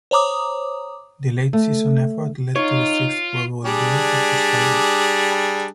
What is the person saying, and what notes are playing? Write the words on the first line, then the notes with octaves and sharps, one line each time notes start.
The late season effort led to the sixth Pro-Bowl berth of his career.
C5 C#5 A#5 D6 D#6
A3
D#4 F4 C#5
G3 D4 G#4